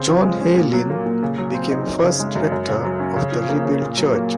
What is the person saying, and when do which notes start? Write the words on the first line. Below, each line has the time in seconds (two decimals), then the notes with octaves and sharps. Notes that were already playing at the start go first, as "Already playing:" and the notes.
John Heylyn became first rector of the rebuilt church.
Already playing: C#3 C4
0.08 F3
0.25 G#3
0.40 C#4
0.57 A#2
0.73 F#3
0.90 A#3
1.06 A#2
1.22 C#3
1.38 F#3
1.54 C4
1.70 D#4
1.87 F#2
2.02 C#3
2.20 G#3
2.35 F#2
2.52 F#2
2.68 C#3
2.85 F#3
3.00 C#4
3.16 C#3
3.32 F3
3.49 A#3
3.65 C#3
3.81 A#2
3.97 F#3
4.14 A#3